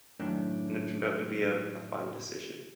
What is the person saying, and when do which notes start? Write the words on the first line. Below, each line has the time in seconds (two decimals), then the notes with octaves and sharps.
and it turned out to be a a fine decision,
0.19 F#2 A2 D#3 D4